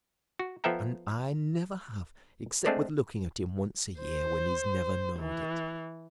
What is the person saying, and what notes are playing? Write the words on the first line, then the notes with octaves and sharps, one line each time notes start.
And I never have, except with looking at him once a year, when he has never knowed it.
F#4
F3 B3 A4 E5 G5 A#5
G#3 A3 C4 D4 C5 D5
C5
E3